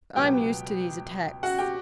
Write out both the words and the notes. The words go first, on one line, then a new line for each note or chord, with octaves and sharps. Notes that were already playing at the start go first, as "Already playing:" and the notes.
I'm used to these attacks.
C#2 B2 F#3 B3 G4 G5
F#4 F#5
G4 G5